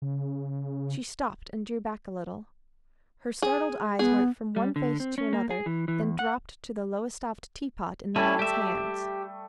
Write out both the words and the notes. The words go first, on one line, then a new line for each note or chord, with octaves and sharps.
She stopped, and drew back a little. Her startled eyes went from one face to another, then dropped to the Lowestoft teapot in the man's hands.
C#3
G#4
B3 G#4
G3
D3
C4
C#4
A#3
G#4
E3
E3
E2
F#5
G3 A3 C#4 E4 A5
G4 E5